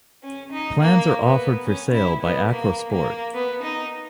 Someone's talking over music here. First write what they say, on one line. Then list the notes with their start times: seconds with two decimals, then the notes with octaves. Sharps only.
Plans are offered for sale by Acro Sport.
0.23 C#4
0.52 D#4
0.80 A#3
1.22 B3
1.65 C#4
1.93 E4
2.21 B3
2.50 A#3
2.91 A#3
3.34 B3
3.63 D#4